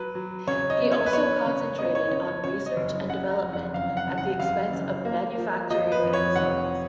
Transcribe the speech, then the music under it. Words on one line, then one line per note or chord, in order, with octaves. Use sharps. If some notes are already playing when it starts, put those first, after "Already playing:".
He also concentrated on research and development at the expense of manufacturing and sales.
Already playing: F#3 B4
F#3
C#3 C#5
D#5
B3
C#5
B4
B3 C#5
C#3
B3 D#5
C#5
C#3 C#5
C#5
C#3 C#5
D#5
F#1
C#3 F#5
A#5
F2
F#5
F#1 F5
F#5
C#3
F#5
F#1 F5
F#1
A#3
F3
F3 D#5
B4
F2
C#5
F1 F#5